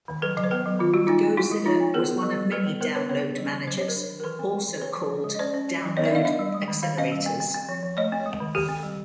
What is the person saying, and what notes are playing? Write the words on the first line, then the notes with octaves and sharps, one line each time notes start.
Go!Zilla was one of many download managers, also called download accelerators.
D#3
F#3 A4 B4
F#3
C5
B3 A4 B4
F#3
D#3 F4
G3 F#4
C4 D#4 F4
C4
C4 E4 F#4
G#3
F3 D#4 F4
C4
B3 G#4 A#4
B3
G3
G3
G3 A4 B4
B3
B3 A#4 C5
D4 B4 C#5
B3 B4 C#5
D4
G3
E3
F#3 C5
F#3 C#5
A#4 C5
D4
D#3
A#4
E3 A4 B4
C4
C4
E3
C5
C4 B4 C#5
F3
F3
G#3
D#5
C#4 C5 D5
C#4
C#4
F#3
B3 C#5 D#5
D5 E5
D4 D#5 F5
D4 D#5 F5
G3
G#3
D#3
D#3 F5
C#4 D#5 F5
G3
C4
C4
C4
F3
F3
A3 C#5 D#5
C4
G#3
D#3
D#3 G4 A4
C4
G3